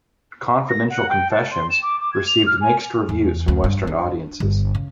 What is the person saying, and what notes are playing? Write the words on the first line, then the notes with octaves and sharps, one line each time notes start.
"Confidential Confessions" received mixed reviews from Western audiences.
A#6
F#5
G5
A5
C6
E7
D6
D6
G#6
F7
F6
G#5
E2
D2
G2
D4
G1
C#3